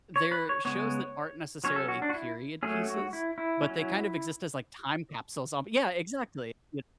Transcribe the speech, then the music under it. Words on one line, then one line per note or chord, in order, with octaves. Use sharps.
they're shows that aren't necessarily period pieces, but they kind of exist as, like, time capsules on Yeah, exactly, it
C#5
B4
C#5
C#3 G#3 B3 C#5
F#3 C#4 C#5
A4
F#4
D4
F#4
E4
F#3 A3 C#4 G#4
F#4
E4
E4
F#3 C#4